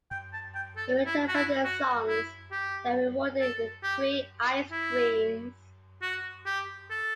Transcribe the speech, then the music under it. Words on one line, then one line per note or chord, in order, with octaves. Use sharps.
In return for their songs, they are rewarded with free ice creams.
G5
A5
G5
A4
E4
F#4
E4
F#4
E4
G4
A4
G4
E4
F#4
G4
A4